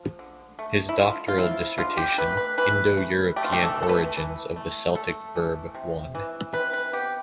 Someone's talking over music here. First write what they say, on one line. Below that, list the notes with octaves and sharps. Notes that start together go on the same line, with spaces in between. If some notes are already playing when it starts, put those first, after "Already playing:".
His doctoral dissertation, "Indo-European Origins of the Celtic Verb I".
Already playing: F3
D3
A3
E4
D3 F4
F4
F3 E4
D3 F4
G4
A3 B4
B4
E3 B4
A3
A3 G4
F4
G4
A4
E3
A4
B4
E3
A3
A3 A4
E3
C3
E3
C3 B4
B4
B3 G4